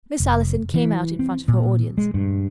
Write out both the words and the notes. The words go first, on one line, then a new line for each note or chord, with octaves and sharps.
Miss Allison came out in front of her audience.
F1
E3
C4
A#2
G#3
G2